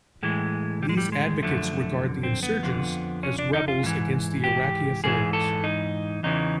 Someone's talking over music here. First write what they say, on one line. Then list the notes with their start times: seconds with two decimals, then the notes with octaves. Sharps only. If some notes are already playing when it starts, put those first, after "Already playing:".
These advocates regard the insurgents as rebels against the Iraqi authorities.
0.23 A2 E3 G#3
0.83 G3
0.89 G#3
0.97 G3
1.12 G#3
1.42 F#2 D3 F3 A3
2.23 C4
2.43 B3
2.63 F2 D3 F3
3.23 C#4
3.39 D4
3.53 D#4
3.68 F4
3.83 G#2 E3
4.44 G4
5.04 G#2 E3 G#4
5.33 A4
5.64 D#4
6.23 E2 C#3 E3 D#4